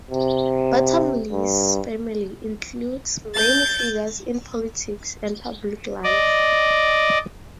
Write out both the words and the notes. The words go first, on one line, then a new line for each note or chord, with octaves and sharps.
Bottomley's family includes many figures in politics and public life.
C3
G2
G6 A6
D5 D#5